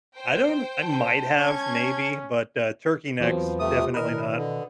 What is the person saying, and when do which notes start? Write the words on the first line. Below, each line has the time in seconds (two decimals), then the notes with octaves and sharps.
I don't I might have, maybe, but, uh, turkey necks, definitely not,
0.16 C5 G5
0.82 A5
1.38 C#4 C#6 G#6
3.20 E2 F3 F#3 C4 B4
3.59 C3 A3 F4 G4 D#6
3.94 B2 D#3 C4 D4 E4 A#4 B4 D#5
4.37 D3